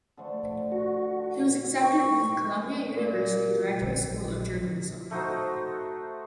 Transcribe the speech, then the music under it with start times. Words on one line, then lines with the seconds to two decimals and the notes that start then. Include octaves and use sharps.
He was accepted into the Columbia University Graduate School of Journalism.
0.17 D3 F3 A3
0.72 F#4
1.82 C#6
2.97 A#2
3.82 A#1 B2 D3 F#3
5.11 A3 D#4 F#4 C5